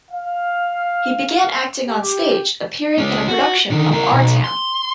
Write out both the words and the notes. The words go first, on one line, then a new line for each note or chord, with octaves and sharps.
He began acting on stage, appearing in a production of "Our Town".
F5
G4
G#3 C#4
F#4
D3 D#3
E4 A#4
B1
C6